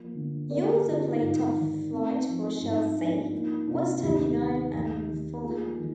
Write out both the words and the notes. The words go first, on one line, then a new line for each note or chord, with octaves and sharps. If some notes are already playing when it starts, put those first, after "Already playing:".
He also played top flight for Chelsea, West Ham United and Fulham.
Already playing: F3 A#3
D3
A#3 A#4 D5
G4 A#4
D3 F4 G#4
D#4
F4
G#2 D#4
D#3
C4
F3
G#2 D#4
F3 D4
A#3 D#4
C3 D4 F4
D#2 D#4 G4
D#3
D#2
D#3
A#3 F4 G#4
D#3